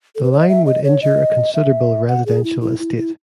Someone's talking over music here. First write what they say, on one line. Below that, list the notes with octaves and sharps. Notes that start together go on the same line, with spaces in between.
The line would injure a considerable residential estate.
A4
B4
C#5
D#5
E5
D#5
C#5
D#5
E5
F#5
G#4
E4
E4
E4
E4